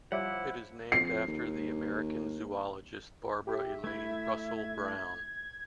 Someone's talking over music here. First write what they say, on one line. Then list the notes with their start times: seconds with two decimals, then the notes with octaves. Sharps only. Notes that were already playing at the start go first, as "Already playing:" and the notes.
It is named after the American zoologist Barbara Elaine Russell Brown.
0.12 F3 G3 E4 C#5 E5 F#5 D6
0.92 F2 C7
1.28 D#2
3.47 G4 E5
3.84 A3 E4 G#6